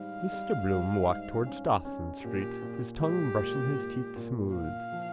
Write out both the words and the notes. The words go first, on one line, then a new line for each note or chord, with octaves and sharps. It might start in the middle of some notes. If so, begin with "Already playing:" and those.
Mr Bloom walked towards Dawson street, his tongue brushing his teeth smooth.
Already playing: G#2 G3 F5
G3
G3
G#2
C#4
C#4
A#2 G4
A#2
G#3 G4
A#2
A#2
A#2
A#2 F5
F3